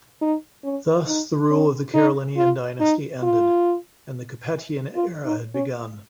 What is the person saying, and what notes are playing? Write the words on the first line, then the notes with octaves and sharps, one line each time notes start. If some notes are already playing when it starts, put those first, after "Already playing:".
Thus the rule of the Carolingian dynasty ended and the Capetian era had begun.
D#4
C#4
D#4
C#4
D#4
F4
D#4
F4
F4
D#4
C#4